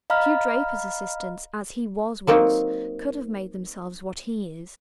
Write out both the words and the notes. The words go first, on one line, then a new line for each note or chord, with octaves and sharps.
Few drapers' assistants, as he was once, could have made themselves what he is.'
D#5 F5 A#5 B5 F6
F#3 A#3 C4 D#4